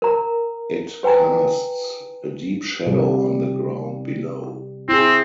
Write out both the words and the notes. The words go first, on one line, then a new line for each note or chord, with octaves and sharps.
It casts a deep shadow on the ground below.
A#4 A#5
G#4 B4 G5 G#5 A#5
C3 G3
C4 E4 G#4